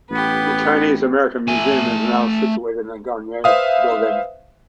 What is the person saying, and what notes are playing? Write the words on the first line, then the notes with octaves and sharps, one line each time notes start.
The Chinese American Museum is now situated in Garnier Building.
A1 B3 G4 B4
A3 G#5
B4 C5 E5 F5 D#6